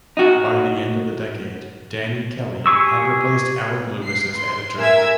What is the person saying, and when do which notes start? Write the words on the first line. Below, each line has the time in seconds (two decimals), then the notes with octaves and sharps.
By the end of the decade, Danny Kelly had replaced Alan Lewis as editor.
0.17 D#4 F#4
2.66 G4 G#4 C#6 E6
4.06 C7
4.39 C6
4.77 A2 A#4 E5 G#5 E6 G#6